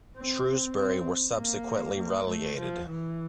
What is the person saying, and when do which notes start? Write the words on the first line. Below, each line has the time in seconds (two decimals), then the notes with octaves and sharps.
Shrewsbury were subsequently relegated.
0.17 C4
0.77 C4
1.37 A#3
1.97 A#3
2.28 A3
2.58 F3
2.87 E3